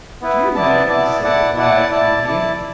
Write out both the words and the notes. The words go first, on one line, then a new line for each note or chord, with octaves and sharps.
"Do you know," he said, "why I have come here?"
B3 E4 B4
B3 E4 D5 A5
B3 E4 D5 A5
E4 D5 F#5 A5
E4 D5 F#5 A5
E4 D5 A5
E4 D5 A5